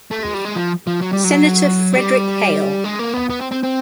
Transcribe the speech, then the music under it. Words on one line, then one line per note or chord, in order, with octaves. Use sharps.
Senator Frederick Hale.
A3
G#3
G3
G#3
F3
F3
F#3
G3
F#3
G3
G#3
A#3
B3
B3
C4
C4
C4